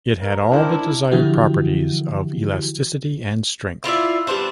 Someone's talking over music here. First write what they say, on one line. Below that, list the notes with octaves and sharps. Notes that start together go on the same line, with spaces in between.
It had all the desired properties of elasticity and strength.
A#4
C#2 D4 E4 C5
D3 E3 F3 E4 F#4 G4
E4 F4 D5 E5
G3 B3 C4 D4